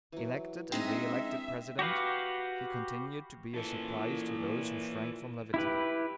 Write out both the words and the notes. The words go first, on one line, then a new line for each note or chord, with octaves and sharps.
Elected and re-elected President, he continued to be a surprise to those who shrank from levity.
E3 F#3
G#3 C4 D4 D#4 D#5 E5 G5
F#4 G4 B4 F5
A#2 E3 A4
E4 G4 B4